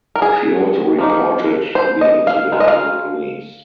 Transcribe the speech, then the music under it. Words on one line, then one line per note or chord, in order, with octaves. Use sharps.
She also reported the incident to the police.
A#4
G#4
F3 A#3 D#4
C5
D#5
F5
D#3 G#3
D#5
F5